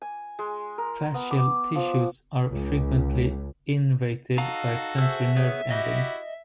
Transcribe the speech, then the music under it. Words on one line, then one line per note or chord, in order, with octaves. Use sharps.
Fascial tissues are frequently innervated by sensory nerve endings.
G#5
G#3
A#4
B3
D6
F3
C#2
D#4 F#4 A4 F5 A#5
G#4 C5 E5 E6
B3 G#4 C#5
E4 F#4 G4 D#5